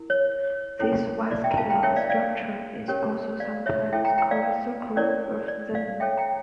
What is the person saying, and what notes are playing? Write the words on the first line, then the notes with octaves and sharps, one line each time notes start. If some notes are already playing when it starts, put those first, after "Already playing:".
This vascular structure is also sometimes called "circle of Zinn".
Already playing: E4 A#4
C#5
C#4 E4 A4 C#5
E5
D5
E5 G5
A#5
F5 A5
G5 A#5
D4 F4 A#4 C#5 E5 G5
D5 F5
D5 F5
C#4 G4 A#4 C#5
D5 F5
C#5 E5
E4 A4 C#5 E5 G5
G5 A#5
G5 A#5
D5 F5
C#4 E4 A#4 C#5 D5
D5
D5 F5
D4 A4 C#5 E5 G5
G5 A#5